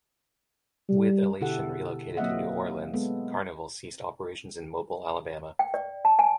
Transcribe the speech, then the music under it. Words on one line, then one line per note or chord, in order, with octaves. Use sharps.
With "Elation" relocated to New Orleans, Carnival ceased operations in Mobile, Alabama.
G3
B2 D3 E4 G4 A4 F#5
F#3 A#3 C4 D#5 E5 F#5
G#3 B3 A4
G5
D5
A5
G#5